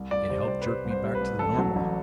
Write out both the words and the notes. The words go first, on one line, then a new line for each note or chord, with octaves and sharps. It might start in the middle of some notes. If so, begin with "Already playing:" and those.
It helped jerk me back to the normal.
Already playing: C2
C2 D5
C3 C5
C5
G3 D5
B4
G3 C5
C2
C5
G3 C5
B4
C2
A1 A4
F#3
A1